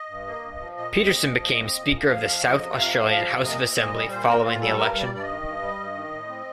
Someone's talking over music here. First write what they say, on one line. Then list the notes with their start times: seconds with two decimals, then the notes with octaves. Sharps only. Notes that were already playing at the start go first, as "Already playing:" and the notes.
Peterson became Speaker of the South Australian House of Assembly following the election.
Already playing: D#5
0.09 G2
0.27 A#3
0.43 G2
0.60 F3
0.77 A#2 D#5
0.93 C4
1.10 A#2
1.27 F3
1.44 A#2
1.60 C4
1.77 A#2
1.93 F3
2.10 F2 F5
2.27 F3
2.44 F2 D#5
2.60 C3
2.78 F2 F5
2.94 F3
3.10 F2 F5
3.28 C3
3.44 A#2 D#5
3.61 C4
3.77 A#2 D#5
3.94 G3
4.11 A#2 C5
4.28 C4 A#4
4.45 A#2 F4
4.62 G3 A4
4.78 G2 A#4
4.95 G3
5.00 D5
5.12 G2 D5
5.23 D#5
5.28 D#3
5.45 G2
5.62 G3
5.79 G2
5.95 D#3
6.12 A2
6.29 C4